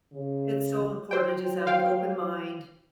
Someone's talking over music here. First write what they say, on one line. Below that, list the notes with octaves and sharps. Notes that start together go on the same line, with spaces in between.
it's so important to just have an open mind,
C#3
F#3 C5 G5
C5 F5 G5